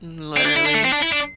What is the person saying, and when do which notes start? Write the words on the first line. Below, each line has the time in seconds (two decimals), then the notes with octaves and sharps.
Mm, literally.
0.37 C4
0.46 D4
0.57 E4
0.66 D4
0.74 A3
0.85 C4
0.93 D4
1.03 E4
1.12 D4